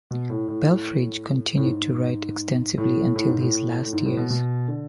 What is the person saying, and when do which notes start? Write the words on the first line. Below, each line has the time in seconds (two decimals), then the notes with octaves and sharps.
Belfrage continued to write extensively until his last years.
0.11 B2
0.30 A2
0.48 A2
1.57 A2
1.63 G#2
2.78 A2
3.16 A2
3.29 G#2
3.41 A2
3.83 A2
3.93 G#2
4.05 A2
4.17 B2
4.30 B2
4.68 D3